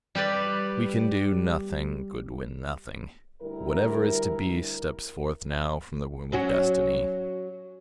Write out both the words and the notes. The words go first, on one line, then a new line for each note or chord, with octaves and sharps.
"We can do nothing, Goodwin--nothing. Whatever is to be steps forth now from the womb of Destiny."
G3 G4 B4 D5
D2 G3 E4 A#4
F#3 C#4 F#4